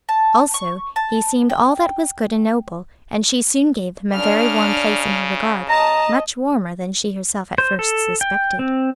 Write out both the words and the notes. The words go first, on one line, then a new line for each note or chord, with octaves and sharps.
Also, he seemed all that was good and noble, and she soon gave him a very warm place in her regard; much warmer than she herself at first suspected.
A5
C#6
A5
G5
C#3 D4 F6
D#5 A5 A#5
C5
A4
G5
C4